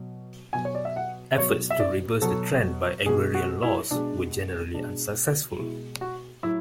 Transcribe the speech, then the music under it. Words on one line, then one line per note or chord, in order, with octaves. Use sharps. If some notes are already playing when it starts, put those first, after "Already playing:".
Efforts to reverse the trend by agrarian laws were generally unsuccessful.
Already playing: B2 F#3
B2 F#3 G#5
C#5
D5
E5
F#5
B2 F#3 C#5
E5
D5
B2 F#3 A4
B2 G#3 G#4
F#4
E4
B2 G#3 D4
B2 G#3 D4
B2 G#3 E4
F#4
A2 F#3 E4